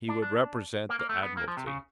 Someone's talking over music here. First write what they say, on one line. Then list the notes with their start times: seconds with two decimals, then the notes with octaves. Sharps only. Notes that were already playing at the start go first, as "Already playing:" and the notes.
He would represent the Admiralty.
0.08 D4
0.22 D4
0.89 A#3
0.99 A#3
1.09 A3
1.23 B3
1.37 A#3
1.48 F3
1.57 C3
1.67 C#3